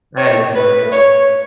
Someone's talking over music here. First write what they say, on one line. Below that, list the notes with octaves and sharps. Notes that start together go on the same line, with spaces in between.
I had a similar feeling.
C#5
B4
C#5